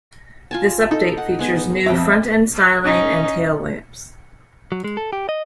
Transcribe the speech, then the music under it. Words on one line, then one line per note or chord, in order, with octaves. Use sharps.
This update features new front-end styling and tail lamps.
F4 G#5 A5
D#4 A4
F#5
G#3 B3 G#5
F2 D#5 E5 G5 D6
C#4 D#4
F#3
G#3
A4
G4
D#5